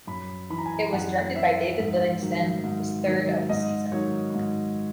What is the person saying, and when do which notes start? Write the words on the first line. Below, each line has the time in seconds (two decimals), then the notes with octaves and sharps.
It was directed by David Livingston, his third of the season.
0.07 F#2 B5
0.50 E3 B5
0.58 A#5
0.66 G#5
0.74 A#5
0.93 F#2 F#5
1.35 E3 E5
1.79 G#2
2.21 D#3 F#3
2.64 G#2
3.07 D#3 F#3
3.49 G#2 D#5
3.92 D#3 F#3 C#5
4.35 G#2